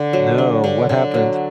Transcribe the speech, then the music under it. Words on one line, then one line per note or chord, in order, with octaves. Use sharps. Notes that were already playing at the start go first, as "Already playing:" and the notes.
No, what happened?
Already playing: D3
F#3
D4
D3
D3
F#3